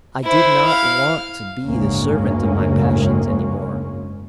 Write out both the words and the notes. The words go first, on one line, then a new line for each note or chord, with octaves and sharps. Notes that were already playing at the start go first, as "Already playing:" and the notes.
I did not want to be the servant of my passions any more.
E4 C5
F5
F#1 D2 G#2 G#3 A#3 C#4